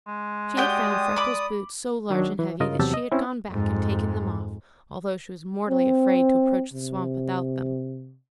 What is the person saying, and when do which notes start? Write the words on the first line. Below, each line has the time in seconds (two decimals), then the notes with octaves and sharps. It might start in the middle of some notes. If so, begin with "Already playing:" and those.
She had found Freckles' boots so large and heavy that she had gone back and taken them off, although she was mortally afraid to approach the swamp without them.
0.07 G#3
0.57 F#4 G4 D5 G5 D#6
1.16 B5 D6
2.10 D#3 F#3 D4
2.39 E3
2.60 G2 C#3 F4 A#4 D#5
2.79 E2 C3 F#3 G4 A5 E6
2.94 D#5
3.12 C4 C#4 E4
3.50 F2 G#2
5.69 C4
6.73 C3